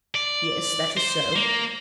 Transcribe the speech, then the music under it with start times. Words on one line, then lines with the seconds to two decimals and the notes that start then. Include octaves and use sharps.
"Yes, that is so."
0.15 D5
0.97 C5
1.36 A#3